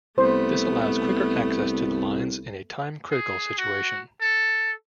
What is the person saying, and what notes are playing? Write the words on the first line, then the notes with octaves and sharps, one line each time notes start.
This allows quicker access to the lines in a time-critical situation.
C2 A3 B3 C5
G#4
F#4
A4